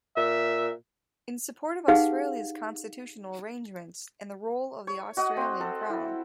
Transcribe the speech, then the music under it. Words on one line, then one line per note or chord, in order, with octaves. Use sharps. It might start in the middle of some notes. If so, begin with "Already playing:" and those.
In support of Australia's constitutional arrangements and the role of the Australian Crown.
A#2 E5
D#4 G4 G#4 B4 F5 F#5
C#5
F#4 D#5 F#5
C4 C5
A4
E4